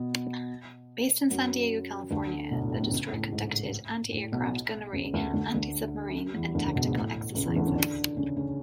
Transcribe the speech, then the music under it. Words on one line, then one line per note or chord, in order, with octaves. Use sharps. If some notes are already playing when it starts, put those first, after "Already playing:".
Based in San Diego, California the destroyer conducted antiaircraft gunnery, antisubmarine, and tactical exercises.
Already playing: B2 B3
F#2 F#3
D2 D3
B1 B2
A2
A2
B1 B2
C#2 C#3
A2
G#2
A2
B1 B2
C#2 C#3
D2 D3
D2 D3
D2 D3
E2 E3
D2 D3
C#2 C#3
B1 B2
G#2
A2
C#2 C#3
E2 E3
D2 D3
C#3 C#4
D3 D4
C#3 C#4
C#3 C#4